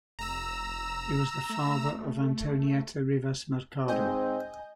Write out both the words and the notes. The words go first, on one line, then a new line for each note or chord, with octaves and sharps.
He was the father of Antonieta Rivas Mercado.
F1 A#5 E6
A3
G#2 C4 D#5 G#5 G6